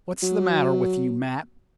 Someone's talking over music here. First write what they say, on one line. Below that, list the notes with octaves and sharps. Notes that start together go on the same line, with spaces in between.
What's the matter with you, Matt?
F#3